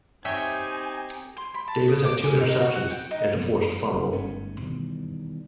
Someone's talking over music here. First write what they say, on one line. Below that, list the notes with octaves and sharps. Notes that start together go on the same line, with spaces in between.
Davis had two interceptions and a forced fumble.
C4 D#4 G4 C#5 E5 G5 G#5
C6
B5
A5
D#6
D6
G#4
D#4
F#4
F#5
G5
D#4
F#2 F3 F#3 B3
F#1
G1 G#2 A3 C#4
B2 D#3 E3 G3